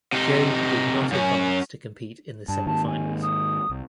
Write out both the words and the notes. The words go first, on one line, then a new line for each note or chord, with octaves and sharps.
Jobe did not advance to compete in the semifinals.
C3 D#4
F#2 C#4
G2 A5
G#2 D#3 A#3 A5
G#5
D#6
C2